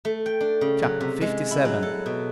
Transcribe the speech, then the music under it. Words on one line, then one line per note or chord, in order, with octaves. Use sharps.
Chapter LVII.
A3
G5
D4
C#3
F#3
C3
G#3
E4
F#3
A4
B2